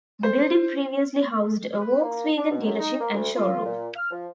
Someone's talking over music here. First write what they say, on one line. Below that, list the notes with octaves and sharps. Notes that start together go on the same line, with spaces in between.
The building previously housed a Volkswagen dealership and showroom.
C5
B4
A#3
D4
B2
F#2
D#4
A#3
D2
F4
A#2
F6
F3